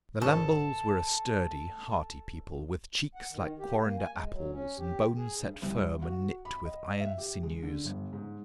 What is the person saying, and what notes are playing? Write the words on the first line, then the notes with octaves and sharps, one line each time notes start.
The Lamboles were a sturdy, hearty people, with cheeks like quarrender apples, and bones set firm and knit with iron sinews.
G#1 C#3 A4
F#5
D#3
G4
A#3
G#5
G#3
F#3
C#4
G4
G#4
G2
C2
F#4
B5
D#5
E5
G4
G#3
D3
G1
G#2